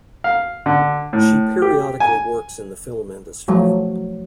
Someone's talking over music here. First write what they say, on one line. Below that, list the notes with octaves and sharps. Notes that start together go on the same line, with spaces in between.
She periodically works in the film industry.
F5
D3
A2
G4
G#5
F3 F#3 A3